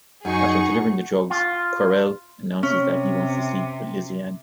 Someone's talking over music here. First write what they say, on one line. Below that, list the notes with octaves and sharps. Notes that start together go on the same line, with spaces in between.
After delivering the drugs, Querelle announces that he wants to sleep with Lysiane.
F#2 D#4 G#4 F#5 C#6
F4
C3 C#4